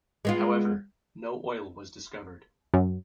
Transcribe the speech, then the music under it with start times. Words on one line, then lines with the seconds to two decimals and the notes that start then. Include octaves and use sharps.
However, no oil was discovered.
0.25 G#3 B3 F4
2.74 F#2